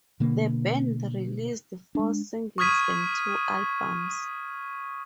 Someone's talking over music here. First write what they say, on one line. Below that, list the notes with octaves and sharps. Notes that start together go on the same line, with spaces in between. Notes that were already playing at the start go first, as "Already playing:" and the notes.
The band released four singles and two albums.
B2 D3 A#3
G#3 D4
C#6 D#6 F6 G#6 B6 D#7